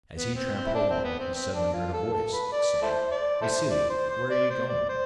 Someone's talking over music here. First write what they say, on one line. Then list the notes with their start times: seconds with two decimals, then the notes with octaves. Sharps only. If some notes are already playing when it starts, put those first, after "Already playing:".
As he tramped along he suddenly heard a voice saying: 'Vassili! where are you going?'
0.16 B3
0.35 C4
0.55 C4
0.66 E4
0.74 D4
0.90 C4
1.04 B3
1.19 C4
1.35 C4
1.54 D4
1.73 F4
1.93 A4
2.13 A4
2.33 B4
2.52 D5
2.82 E4 A4 C5
3.12 D5
3.42 E4 A4 C5
3.70 D5
3.90 C5
4.10 C5
4.31 D5
4.50 C5
4.69 D5
4.89 C5